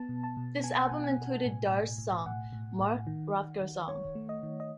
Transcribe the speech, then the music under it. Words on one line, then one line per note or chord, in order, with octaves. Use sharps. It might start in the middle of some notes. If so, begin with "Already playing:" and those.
This album included Dar's song: Mark Rothko Song.
Already playing: B3 A5
B2
A5
B2
B3 G#5
F#5
B2 G#5
G#5
B2
A2
A2
A2
A2 F#5
A2
A2
D#3
D#3
D#3
D#3 C#5
A3
D#5
D#3
D#5